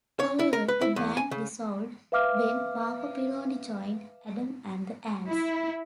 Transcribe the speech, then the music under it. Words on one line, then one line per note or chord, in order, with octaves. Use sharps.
However, the band dissolved when Marco Pirroni joined Adam and the Ants.
C#5
E4
A#4
B4
E4
E2
G#5
C#3
B4 E5 F5 D6 F6
E4